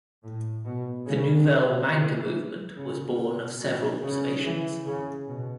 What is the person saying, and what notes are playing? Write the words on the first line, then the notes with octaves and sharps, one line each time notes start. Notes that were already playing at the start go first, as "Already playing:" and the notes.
The Nouvelle Manga movement was born of several observations.
A2
B2
C#3
E3
C#3
C#3
B2
B2
C#3
E3
C#3
B2